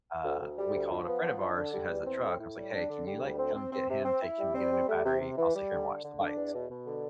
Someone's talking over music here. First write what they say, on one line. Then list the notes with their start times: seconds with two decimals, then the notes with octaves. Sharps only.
uh, we called a friend of ours who has a truck, and I was like, "Hey, can you, like, come get him, take him to get a new battery? I'll sit here and watch the bikes."
0.25 D2
0.41 D2
0.59 G3
0.74 D2
0.91 F3
1.08 B3
1.24 F3
1.41 D4
1.57 D3
1.74 G3
1.90 E2
2.07 C4
2.23 A2
2.39 A2
2.57 G3
2.74 D4
2.89 D3
3.06 G3
3.23 D2
3.39 C4
3.55 C4
3.72 C4
3.89 C3
4.05 C4
4.22 E4
4.39 G3
4.55 C4
4.71 G3
4.88 A3
5.05 C3
5.21 C3
5.38 E3
5.54 G3
5.71 D3
5.87 D3
6.03 D3
6.20 D4
6.37 E2
6.54 B2
6.70 B2
6.86 D3